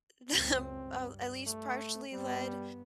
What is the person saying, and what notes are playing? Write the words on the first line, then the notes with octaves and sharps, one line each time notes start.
them uh, at least partially led,
C#2 F#2 C4
G2
A3
G2 G3 B3